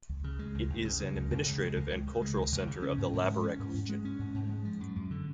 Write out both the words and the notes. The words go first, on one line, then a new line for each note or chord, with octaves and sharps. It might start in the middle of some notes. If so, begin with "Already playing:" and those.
It is an administrative and cultural centre of the Laborec Region.
C#2
C#3
G#3
C#2
C#2
C#3
G#3
C#2
C#2
C#3
G#3
C#2
C#2
C#3
G#3
C#2
C#2
C#3
C#4
G#2
G#2
G#3
C#4
G#2
G#2
G#3
C#4
G#2
G#2
G#3
F3
F#2
F#2
D3